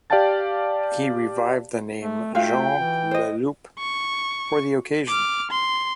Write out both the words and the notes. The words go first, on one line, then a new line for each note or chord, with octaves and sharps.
He revived the name Jean Leloup for the occasion.
G4 D5 F5 G5 A5 A6
A3
A3 F4 F#4 F5 G5
E3
C5 D#5
C#6
D6 F6
C6